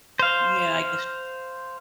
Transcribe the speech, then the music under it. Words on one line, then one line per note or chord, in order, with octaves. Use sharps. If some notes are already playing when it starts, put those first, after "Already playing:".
Yeah, I guess.
C5 F5